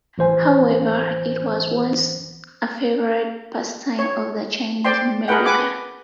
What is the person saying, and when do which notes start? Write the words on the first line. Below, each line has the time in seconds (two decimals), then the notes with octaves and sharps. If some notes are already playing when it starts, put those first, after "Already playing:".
However, it was once a favorite pastime of the Chinese in America.
0.18 A1 E3 C5 G#5
3.99 C#5
4.84 C5 D5 G5 C6
5.28 G#4 A#4 B4 F#5 G5
5.46 B4 F#5 G#5 D6